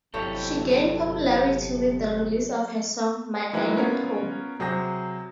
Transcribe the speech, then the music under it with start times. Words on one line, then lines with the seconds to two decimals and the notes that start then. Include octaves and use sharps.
She gained popularity with the release of her song "My Island Home".
0.14 G1 C3 F#3 E4 G4 A4 C#5
3.53 E3 F#3 G#3 A#3 D#4 E4
3.76 B3 C#4 F4 A#4 C#5
4.59 C3 F#3 G#4 C5 D#6 A#6